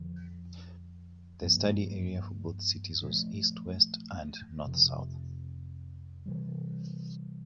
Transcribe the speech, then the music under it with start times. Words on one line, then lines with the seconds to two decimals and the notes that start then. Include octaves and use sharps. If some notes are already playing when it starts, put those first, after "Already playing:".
The study area for both cities was East-West and North-South.
Already playing: F2 D3 F3
1.42 G2 F3 A#3
3.03 A#2 F3 A3
4.65 F2 C3 F3
6.26 C3 E3 G3